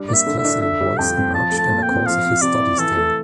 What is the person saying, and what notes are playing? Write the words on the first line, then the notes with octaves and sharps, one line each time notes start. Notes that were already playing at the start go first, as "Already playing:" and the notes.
His classical voice emerged in the course of his studies there.
Already playing: G3 D4
A#3 D5 E5
D3
E5
D4
D3 E5
G3
F2 G5
C4
F3 A5
A3
A5
A#2
G5
C4
F3 F5
C4
C3 D5
E4
E3 A4
A3